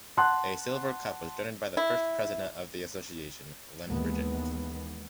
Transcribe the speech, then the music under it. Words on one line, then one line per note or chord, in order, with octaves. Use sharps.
A silver cup was donated by the first president of the association, Len Bridgett.
F#5 A5 C6 F#6
E4
D#2 E3 G#3 B3